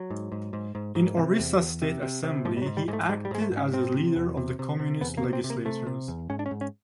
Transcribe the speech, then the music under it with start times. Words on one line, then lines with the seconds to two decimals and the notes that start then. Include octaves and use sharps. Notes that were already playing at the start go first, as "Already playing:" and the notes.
In Orissa State Assembly he acted as the leader of Communist legislators.
Already playing: F#3
0.11 G#2
0.32 G#2
0.53 G#2
0.75 G#2
0.95 G#2
1.17 C3
1.39 E2
1.60 E2
1.82 C3
2.03 C3
2.23 C3
2.45 G#2 F3
2.57 G3
2.62 F#3
2.66 G#2
2.77 G3
2.88 G#2 G#3
2.93 A3
3.09 G#2 G#3
3.25 G3
3.31 G#2 G#3
3.42 A3
3.51 G#2
3.57 C#4
3.73 C3 C4
3.94 C3
4.16 E2
4.37 C3
4.59 C3
4.80 C3
5.01 E2 B3
5.17 A#3
5.23 C3
5.33 C4
5.44 C3
5.50 A#3
5.65 C3 A3
5.87 C3
6.08 E2
6.30 G#2 C#4
6.39 D4
6.46 C#4
6.51 G#2
6.61 C#4